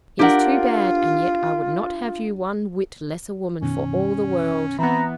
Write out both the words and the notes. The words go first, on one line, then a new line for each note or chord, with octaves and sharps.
It is too bad; and yet I would not have you one whit less a woman for all the world.
D4 F4 G4 A#4 F#5
F#2 B2 D#3 C#4
E3 B3 C4 A#5